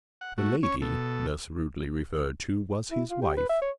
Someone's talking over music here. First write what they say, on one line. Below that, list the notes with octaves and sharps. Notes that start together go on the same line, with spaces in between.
The lady, thus rudely referred to, was his wife.
F#5
A3 F#4
C#4 C#5
B2 A4
E4
F4
G4
B4
E5
C#5